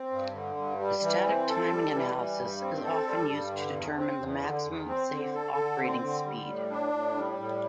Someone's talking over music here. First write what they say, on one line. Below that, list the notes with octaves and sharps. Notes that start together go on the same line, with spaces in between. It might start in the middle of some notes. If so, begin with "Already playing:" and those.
Static timing analysis is often used to determine the maximum safe operating speed.
Already playing: C4
G2
D3
G2
G3
E3
C4
A4
G3
E3
G3
G2
C4
A4
G3
G2
D3
E2
C4
E2
D3
E2
C4
D3
A4
D3
C4
D3
G3
A2
D4
A2
G3
A2